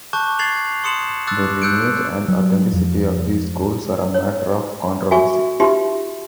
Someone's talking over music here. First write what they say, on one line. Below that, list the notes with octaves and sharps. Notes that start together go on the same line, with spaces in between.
The lineage and authenticity of these schools are a matter of controversy.
A5 C#6 D6 F#6 G6
G#6 A6 C7 F7 F#7
C6 D#6 C#7 E7 F#7
D6 E6 F#6 A6
E6 F#6 G6 C#7 D7
F#3
F2
C#5
F#4 E5 G#5 C#6 D6
D#4 F4 G4 B4 E5 C6